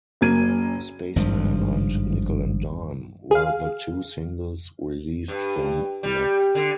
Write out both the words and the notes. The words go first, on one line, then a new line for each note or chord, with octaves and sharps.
"Spaceman" and "Nickel and Dime" were the two singles released from "Next".
F#1 F#3 A#3 G#6 D#7
G#1 G2 F3
G#4 F5
G2
G3
D3